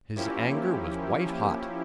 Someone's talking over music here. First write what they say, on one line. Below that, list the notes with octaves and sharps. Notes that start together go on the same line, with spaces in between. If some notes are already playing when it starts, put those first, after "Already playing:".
His anger was white hot.
F3 A#3 C#4 E4 G4